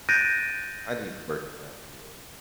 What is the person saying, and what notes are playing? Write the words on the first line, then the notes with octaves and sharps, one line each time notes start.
I need work in that field.
F#6 G6 A6 A#6 D7 D#7